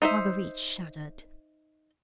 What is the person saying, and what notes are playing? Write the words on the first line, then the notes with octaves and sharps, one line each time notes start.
Marguerite shuddered.
D#4 C5 E5